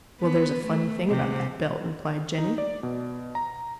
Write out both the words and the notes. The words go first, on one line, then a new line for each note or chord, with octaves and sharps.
"Well, there's a funny thing about that bill," replied Jenny.
B3
A3
C3
D#4
D5
B2
A#5